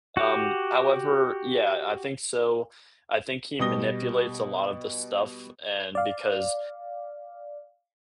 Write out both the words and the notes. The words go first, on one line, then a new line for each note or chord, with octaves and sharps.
Um, however yeah, I think so I think he manipulates a lot of the stuff and because
F#4 G4
B2 G3 G4 D#6 A#6 G7
D5 F5